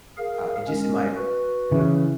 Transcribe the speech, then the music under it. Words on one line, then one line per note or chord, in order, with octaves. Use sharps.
uh, just in my opinion,
G#4 A#4 F5
G#3 C#4 A#4
F#4 B4
C#3 E3